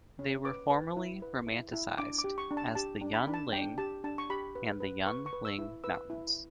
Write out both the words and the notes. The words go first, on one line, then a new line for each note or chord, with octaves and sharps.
They were formerly romanized as the Yun Ling and as the Yun-ling Mountains.
C#4
B4 D6
B4
E4
B4
E4
E4
D4 D6
D6
G4
C#6
D4
A5
G4 A5
D4
B5
D4
A5
D4 G5
G4 A5
D4 A5
C#6
G4 B5
B4
B4
B4 C#6
C#6
B4
E6
E4
B4 E6
E4